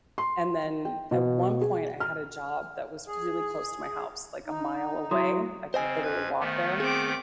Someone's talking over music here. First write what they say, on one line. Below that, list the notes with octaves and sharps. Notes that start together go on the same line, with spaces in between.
and then, at one point, I had a job that was really close to my house, like, a mile away- I could literally walk there-
C6
G5
B2
G#4
F6
G#4
D#4
F#3 E4 C6 D#6
C#3 C4 C5 D#5 G#5
F2 B4 G#6
D#3 A3 B3
C4 G#4 D6